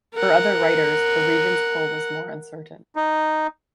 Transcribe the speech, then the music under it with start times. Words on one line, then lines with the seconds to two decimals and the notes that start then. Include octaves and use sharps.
For other writers, the region's pull was more uncertain.
0.14 A#4 F#5
2.96 D#4